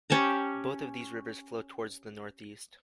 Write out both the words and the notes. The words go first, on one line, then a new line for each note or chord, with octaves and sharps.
Both of these rivers flow towards the northeast.
C#4 G4 A5 A#5